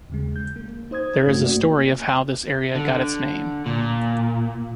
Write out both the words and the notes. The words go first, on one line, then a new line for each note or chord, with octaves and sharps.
There is a story of how this area got its name.
D#2 C#3 G#3
G6
A#3
D#4 C5 D#6 G#6
G2 C3 A3 C#4 E4 F#4
A#3 F#4 D5
D3
A#2